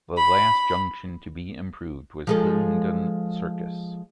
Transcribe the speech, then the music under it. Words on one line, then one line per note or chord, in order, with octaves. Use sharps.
The last junction to be improved was Hillingdon Circus.
B5
F3 G#3 A4